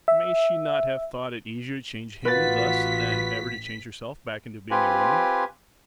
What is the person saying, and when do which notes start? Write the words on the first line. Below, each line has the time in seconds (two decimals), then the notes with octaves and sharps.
May she not have thought it easier to change him thus than ever to change herself back into being a woman?
0.08 E5
2.25 A1 B3 F4 F#4 B4 A6 B6
4.71 C4 F4 G4 B4 G#5